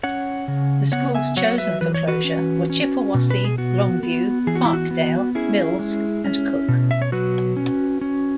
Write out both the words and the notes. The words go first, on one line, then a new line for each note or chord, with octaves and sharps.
The schools chosen for closure were Chippewassee, Longview, Parkdale, Mills and Cook.
C#4 C#5 F#5
C#3
B3 C#5 F#5
E5 G#5
F#3 C#5 F#5
B4 E5
E3 B4
C#5
F#4 B4
C#4
C#4
B2
B4
G#4
B3 F#4
B3
E3 G#4
F#4
E4
F#4
B3
C#4 E4 G#4
G#3
C#4
B2
E5
C#5
F#3 F#4 B4
C#4
C#4